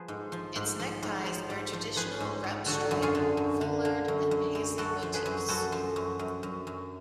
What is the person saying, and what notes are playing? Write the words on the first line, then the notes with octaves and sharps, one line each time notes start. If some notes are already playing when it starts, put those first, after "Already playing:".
Its neckties bear traditional repp stripe, foulard, and paisley motifs.
Already playing: F3 G#4 B4
G#2
F3
G#2
F3
G#2
F3
G#2
F3
F3 G#4 B4
G#2
G#2
D3 F#4 A4
F#2
F4 G#4
D3
F#2
D3
D3
F#2
F#2
F#2
F#2 F#4 A4
F3
G#4 B4
F#2
F#2 F#4 A4
F3
F#2
F#2
F#2
F#2